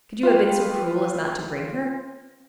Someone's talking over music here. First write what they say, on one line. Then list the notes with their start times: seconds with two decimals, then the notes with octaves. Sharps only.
"Could you have been so cruel as not to bring her?"
0.23 F4 B4 G5